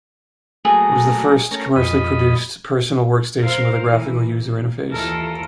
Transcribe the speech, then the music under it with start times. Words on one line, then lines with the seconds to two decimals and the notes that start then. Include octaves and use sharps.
It was the first commercially produced personal workstation with a Graphical User Interface.
0.65 F#3 A3 A#3 G#4
1.51 A3 C#4 A#4
1.76 F2 D#5 B5
3.41 A#4 C5 F5
3.89 E3 A#3
4.35 A#3
4.92 D#2 E3 F4 A4 A#4